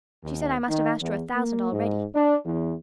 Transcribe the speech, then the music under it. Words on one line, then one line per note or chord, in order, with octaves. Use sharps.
She said I must have asked her a thousand already.
D#2
D#3
E2
A#3
G#2
D4
E2